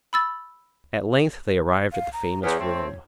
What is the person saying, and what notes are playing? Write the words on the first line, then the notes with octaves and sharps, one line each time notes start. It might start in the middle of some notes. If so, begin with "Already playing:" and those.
At length they arrived at the famous room.
B5 E6 A6
F5
A#5
E2 C#5
A3 C4